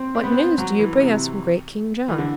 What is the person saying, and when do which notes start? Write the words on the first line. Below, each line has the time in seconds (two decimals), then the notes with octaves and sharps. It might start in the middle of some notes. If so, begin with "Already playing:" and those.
"What news do you bring us from great King John?"
Already playing: C4
0.15 C4
0.24 B3
0.32 C4
0.58 F#3
0.79 E3
1.01 C3
2.08 E3
2.18 D3